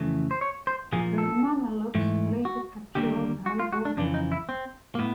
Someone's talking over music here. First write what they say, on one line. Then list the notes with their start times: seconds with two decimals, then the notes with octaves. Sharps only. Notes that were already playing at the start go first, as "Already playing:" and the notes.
The Mameluks later captured and rebuilt it.
Already playing: F2 C#3 E3 A3
0.31 C5
0.41 C#5
0.67 C5
0.93 A#2 F3 A#3 G#4
1.18 A4
1.95 G#2 E3 A3
2.45 F#4
2.95 D#2 D3 G3 A#3 G4
3.46 F#4
3.60 F4
3.73 F#4
3.85 D4
3.97 F2 C#3 E3 D4
4.14 D#4
4.32 E4
4.49 C4
4.95 A#3
4.99 A2 B3